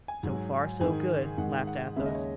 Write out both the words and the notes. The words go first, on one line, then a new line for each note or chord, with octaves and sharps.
"So far, so good," laughed Athos.
G#5
G#2 F#3
G#2 D#3 G#3 G#5
G#2 D#3 G#3 F#5
F#5
D#2 C#3 G#3 E5
D#5
C#5